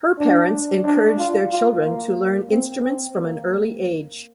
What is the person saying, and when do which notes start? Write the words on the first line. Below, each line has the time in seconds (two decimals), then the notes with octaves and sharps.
Her parents encouraged their children to learn instruments from an early age.
0.18 D4
0.84 D4
1.18 F4
1.51 F4
1.84 A#3
2.50 C4
2.83 C4
3.17 A#3